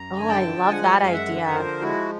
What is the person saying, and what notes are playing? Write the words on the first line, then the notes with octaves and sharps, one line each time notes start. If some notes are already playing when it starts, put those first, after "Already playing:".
Oh, I love that idea.
Already playing: F#2 A#5
D3 G#5
G5 A5
F3
G#3 F#5 G#5
F#2
F5
E5 F#5
D3
B4
F3 A#4 C5
G#3 E4 F#4